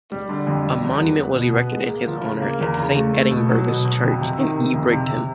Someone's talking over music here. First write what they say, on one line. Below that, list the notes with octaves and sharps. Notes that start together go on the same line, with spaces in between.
A monument was erected in his honour at Saint Eadburgha's Church in Ebrington.
G3
D3
F2
G3
E2
B3
B3
B2
B3
G#3
A#3
F3
C#3
A#3
E2
C#3
A3
A3
B2
F#3
B2
F#3
F2
C3
D#3
C3
F2
C3
C3